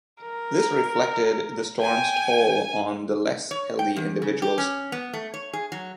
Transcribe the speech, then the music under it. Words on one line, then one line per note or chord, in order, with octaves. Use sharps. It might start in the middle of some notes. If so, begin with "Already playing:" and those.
This reflected the storm's toll on the less healthy individuals.
A#4
G5 G#5
C#5
G5
E2
C#3
G4
C#4
B3
A3
C#5
G#4
F#3